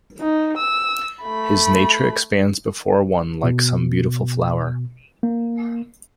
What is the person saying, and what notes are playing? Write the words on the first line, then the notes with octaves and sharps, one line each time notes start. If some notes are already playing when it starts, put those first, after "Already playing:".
His nature expands before one like some beautiful flower.
D#4
E6
A3 B5
B2
A#3